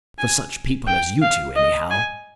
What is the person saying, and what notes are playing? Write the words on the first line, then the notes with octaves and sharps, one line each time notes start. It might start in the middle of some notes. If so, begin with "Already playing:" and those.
For such people as you two anyhow.
G#5
G5
F5
D#5
G#5